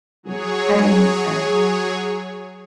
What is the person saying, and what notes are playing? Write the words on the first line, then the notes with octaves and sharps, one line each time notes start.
"You kinda need to
F#3 G#4 C#5